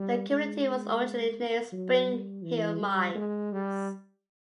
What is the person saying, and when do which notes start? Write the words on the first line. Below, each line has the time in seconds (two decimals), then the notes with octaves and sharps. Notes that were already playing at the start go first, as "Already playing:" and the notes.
The community was originally named Springhill Mines.
Already playing: G3
0.29 G#3
1.72 F#3
2.08 G3
2.43 E3
2.80 G3
3.15 G#3
3.52 G3